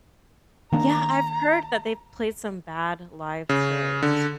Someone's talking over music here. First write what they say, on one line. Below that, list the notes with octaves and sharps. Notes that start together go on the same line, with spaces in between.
Yeah, I've heard that they've played some bad live shows.
D#3 A#3 D4 A#5
C#3
D3